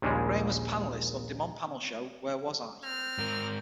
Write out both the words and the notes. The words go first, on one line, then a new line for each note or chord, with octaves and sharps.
Graham was a panelist on the DuMont panel show Where Was I?
A#1 D#2 A#2 C#3 G3 G#3
C4 F6
G#2 A#4